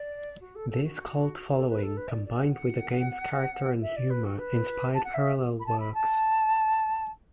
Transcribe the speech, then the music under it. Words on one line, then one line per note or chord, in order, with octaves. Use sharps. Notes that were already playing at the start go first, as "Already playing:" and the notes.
This cult following, combined with the game's character and humor, inspired parallel works.
Already playing: D5
F#4
A4
A4
F#4
A4
B4
A4
B4
E5
D5
D5
F#5
F#5
E5
D5
B4
F#4
B4
A5
F#5
E5
B5
A5
B5
A5